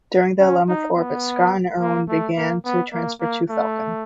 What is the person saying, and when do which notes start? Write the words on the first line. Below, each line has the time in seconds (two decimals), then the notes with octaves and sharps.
During the eleventh orbit, Scott and Irwin began to transfer to "Falcon".
0.40 C#4
0.68 D#4
0.96 B3
1.81 A#3
2.08 A3
2.37 A#3
2.65 B3
2.92 A#3
3.20 A#3
3.49 A3